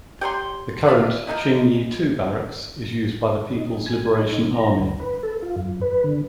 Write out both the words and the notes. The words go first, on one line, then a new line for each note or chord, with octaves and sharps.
The current Ching Yi To Barracks is used by the People's Liberation Army.
G4 C#5 B5 C6
B4 D5 E5 F5
F3 B3 D#4 E4
D#4
G#5
D#4
A#5
D2
B4
A4
F4
F#2
B4
D3